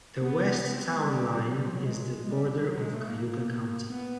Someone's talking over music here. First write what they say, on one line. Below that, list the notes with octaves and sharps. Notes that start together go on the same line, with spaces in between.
The west town line is the border of Cayuga County.
B3
B3
C4
B3
G#3
G3
F#3
G3
F3
F#3
G#3
G3
F#3
G#3
A3
A#3
B3